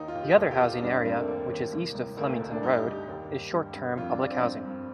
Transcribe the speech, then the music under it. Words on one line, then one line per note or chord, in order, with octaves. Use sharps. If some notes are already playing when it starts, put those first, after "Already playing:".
The other housing area, which is east of Flemington Road, is short-term public housing.
Already playing: D#2 D#4
F4
D#2
G4
D#2 A4
G4
D#2 F4
D#4
G2 D4
C4
G2 A#3
A3
D#2 A#3
D#2
C2
C2
D2 A#3
A3
D2 A#3
D4
G2 D#4
G4
G2
G4
D#2
D#2
G2
G2
F2 F4
D4
F2 D4
C4
G2
G2